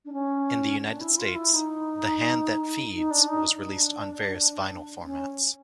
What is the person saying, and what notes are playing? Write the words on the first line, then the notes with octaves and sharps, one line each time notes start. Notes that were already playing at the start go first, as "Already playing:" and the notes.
In the United States, "The Hand That Feeds" was released on various vinyl formats.
D4
C#4
D4
E4
F4
E4
D#4
D#4
D4
D#4
D4
C#4